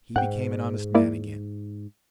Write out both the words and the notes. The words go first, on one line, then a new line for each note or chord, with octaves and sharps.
"He became an honest man again!"
G#2 F#5 G5
A#3 E4 D5